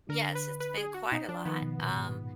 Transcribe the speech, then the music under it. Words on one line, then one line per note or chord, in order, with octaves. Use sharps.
Yes, it's been quite a lot, um,
D3 A#4
B4
B4
G#4
F#4
B2 D#4
F3 D4
D#3 B3
B2
A#2
A#2
G#2